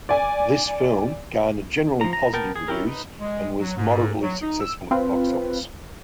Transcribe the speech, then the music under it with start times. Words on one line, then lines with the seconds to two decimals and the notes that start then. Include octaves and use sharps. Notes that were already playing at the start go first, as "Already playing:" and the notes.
This film garnered generally positive reviews and was moderately successful at the box office.
0.09 D5 G#5
2.01 F3 A#5
2.13 A#5
2.33 B3 A#4 G5 A5
2.56 G#4
2.68 C#4 E4 G4 A#4
2.86 D#4 B4
3.20 G#3
3.59 F#3
3.77 G#2
4.21 F#3
4.42 D#4
4.60 E6
4.91 C4 F4 B4